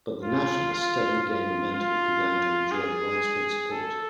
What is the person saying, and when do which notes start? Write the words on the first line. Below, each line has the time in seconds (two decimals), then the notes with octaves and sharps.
But the nationalists steadily gained momentum and began to enjoy widespread support.
0.23 F4
0.73 F4
1.23 F4
1.72 F4
2.71 G#4
3.71 A4